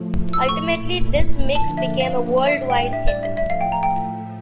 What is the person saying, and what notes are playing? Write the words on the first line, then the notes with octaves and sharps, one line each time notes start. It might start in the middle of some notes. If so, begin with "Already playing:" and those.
Ultimately this mix became a worldwide hit.
Already playing: A2 F3 A3
E6
C#6
A#2 A3 E4
D3 F3 A#3 D4 A5
E5
F5
A2 G3 D4 E5
G5
E5
D5
E5
A2 F3 A3 E5
F5
G5
A#5
G5